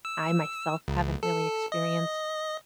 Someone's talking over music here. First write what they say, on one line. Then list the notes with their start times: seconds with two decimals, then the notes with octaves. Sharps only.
I, myself haven't really experienced
0.05 E6
0.88 C#2
1.23 A4
1.72 D#5